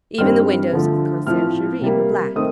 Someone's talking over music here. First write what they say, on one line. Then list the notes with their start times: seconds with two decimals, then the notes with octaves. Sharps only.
Even the windows of the conciergerie were black.
0.18 G2 D#3 G3 C4 F6
0.73 D3 F3 A3
1.27 A2 F3 C4 F6
1.81 C3 G3 A#3
2.36 D#3 A3 C4 D#6